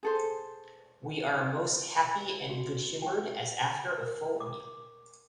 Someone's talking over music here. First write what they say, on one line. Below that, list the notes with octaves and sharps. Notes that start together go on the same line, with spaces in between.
We are most happy and good-humored as after a full meal.
G#4 A4 C5
F#4
G5
A#4
D6